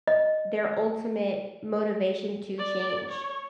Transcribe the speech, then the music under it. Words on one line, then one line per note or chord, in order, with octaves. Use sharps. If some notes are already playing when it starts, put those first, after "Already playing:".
their ultimate motivation to change,
D#5
D5
C#5